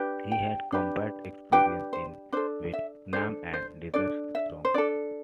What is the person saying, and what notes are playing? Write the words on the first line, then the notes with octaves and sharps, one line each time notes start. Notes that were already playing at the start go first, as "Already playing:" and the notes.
He had combat experience in Vietnam and Desert Storm.
Already playing: D4 G4 B4
G5
D4 G4 B4
D4 G4 B4 G5
C5
D4 A4 C5
E5
D4 A4 C5
C5
D4 A4 D5
E5
C5
D4 A4 D5